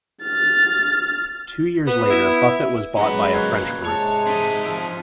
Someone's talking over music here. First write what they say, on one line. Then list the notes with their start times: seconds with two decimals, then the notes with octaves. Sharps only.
Two years later Buffet was bought by a French group.
0.23 F6 A6
1.87 B3 B4
2.10 E4
2.97 F#3 G#3 C#4 B4 F#5 A#5 A#6
3.34 A#3 C#4 F4 C#6 F#6 G#6
3.85 G#2 C3 G#3 C#5 A5
4.27 C4 D#4 D#5 B6 D7 D#7
4.65 F3 E6 D7